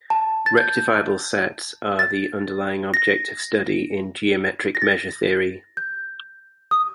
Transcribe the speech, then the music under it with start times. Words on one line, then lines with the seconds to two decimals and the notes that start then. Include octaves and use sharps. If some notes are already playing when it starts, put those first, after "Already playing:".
Rectifiable sets are the underlying object of study in geometric measure theory.
0.10 A5
0.46 A6
0.57 G6
1.99 A6
2.94 A#6
4.75 A#6
4.82 A6
5.77 G6
6.71 D#6